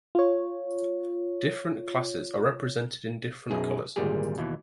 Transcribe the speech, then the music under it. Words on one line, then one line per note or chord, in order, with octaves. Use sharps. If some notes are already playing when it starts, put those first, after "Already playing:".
Different classes are represented in different colours.
F4 C#5
B1 F#2 B2 G#4
G#1 D2 A#2 G3 G4 G#4
D#2 B2 E3